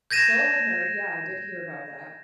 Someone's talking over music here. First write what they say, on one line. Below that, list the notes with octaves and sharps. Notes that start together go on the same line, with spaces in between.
So I've heard, yeah, I did hear about that.
G6 G#6 A#6 D#7 E7